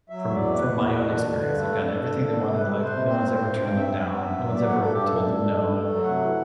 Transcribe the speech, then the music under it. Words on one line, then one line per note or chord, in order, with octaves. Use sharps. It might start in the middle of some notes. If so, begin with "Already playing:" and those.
from from my own experience, they've gotten everything they wanted in life, no one's ever turned them down, no one's ever told them no,
F#3 E5
E2
D5
B2
B2 B4
E2
B2
D4
D3
G2
A3 A4
D4
G2
D4
D4
C3
G3 B4
C3
C5
C3
C4 C5
G2
C5
G2
G2 G5
C4
E5
G2
B3
B3
F#3
F#3 D5
G2 F#5
A4
G2 G4
F#2 A4
D4
F#2
A3
A3
F#3
C3 F#5
E3